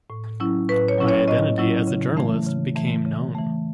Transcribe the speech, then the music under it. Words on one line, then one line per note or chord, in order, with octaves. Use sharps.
My identity as a journalist became known.
A2
F#3 C#4 E4
A2 B4
C#5
F#3 C#4 E4
C#5
A2 D#5
F#3 C#4 E4
C#3
E3 A3
C#3
E3 A3
C#3
E3 A3